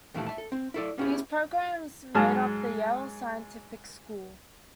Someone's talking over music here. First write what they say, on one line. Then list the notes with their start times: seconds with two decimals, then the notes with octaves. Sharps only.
These programs made up the Yale Scientific School.
0.14 D#2 A#2 E3 G3 A3 A5
0.26 E5 A5
0.38 A4
0.52 C4
0.74 E4 A4 D5
0.98 A#3 B3 C#4 E4 G4 G#4
2.15 G#2 F#3 G#3 G#4 A5 F6